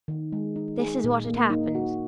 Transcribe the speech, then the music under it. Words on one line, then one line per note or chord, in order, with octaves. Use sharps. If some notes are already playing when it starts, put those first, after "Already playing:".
This is what had happened.
D#3
G#3
D#4
G#4
A#2
A#3
D#4
F#4